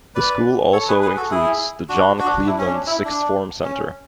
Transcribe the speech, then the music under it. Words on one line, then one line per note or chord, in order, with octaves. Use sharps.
The school also includes the John Cleveland Sixth Form Centre.
B4 D5
A4 C#5
G#4 B4
G#4 B4
F#4 A4
E4 G#4
D4 F#4
D4 F#4
D4
E4
C#4
D4
E4
D4
C#4